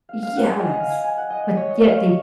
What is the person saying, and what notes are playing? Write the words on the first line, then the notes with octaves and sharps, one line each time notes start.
Yes, but yet they
F5
F5
F#5
G#5
D#5
D#5
F5
G#5
G#5
F#5
D#5
D#5
C#5
D#5
F5
C#6